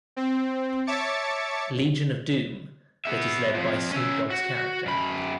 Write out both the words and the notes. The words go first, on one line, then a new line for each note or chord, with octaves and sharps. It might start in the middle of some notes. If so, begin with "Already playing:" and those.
Legion of Doom that is led by Snoop Dogg's character.
C4
C#5 E5 A5 D6 A6 C#7
B3 E5
F2 F3
C#4 E5
F#4
F#2 B5